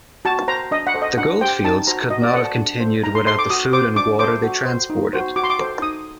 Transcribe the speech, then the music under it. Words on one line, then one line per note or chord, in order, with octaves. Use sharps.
The goldfields could not have continued without the food and water they transported.
F#4 A5
C5 A#5
D4 D#5
F#5
A4 C5
D#5
D4 F#5
G4 C5 G5
D#4 A5
F#4 C5 A#5
F#4 D#5
D5
A4 C5 F#5
A5
D4
A4 C5
D#4 A#5
C6
A4 C5 C6
D6
F#4 D#6
C5 D6
D4 D6
A4 C5 D6
F#4
C5
D#4
F#4 C5
F#4 D6
C6
D6
A4 C5
D#4 D#6